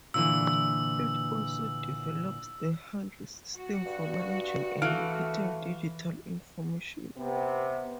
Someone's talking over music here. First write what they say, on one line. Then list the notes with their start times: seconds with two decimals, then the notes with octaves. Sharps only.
It also develops the Handle System for managing and locating digital information.
0.14 A#2 D3 E3 E6
3.55 F#4
3.86 G2
4.82 E3 A3 F5 F6 D7
7.18 C3 B3